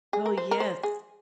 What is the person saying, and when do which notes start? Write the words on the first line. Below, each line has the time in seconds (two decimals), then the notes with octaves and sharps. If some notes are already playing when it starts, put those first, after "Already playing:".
Oh, yes.
0.13 G#4
0.26 A#4
0.38 C5
0.51 A#4
0.60 C5
0.83 G#4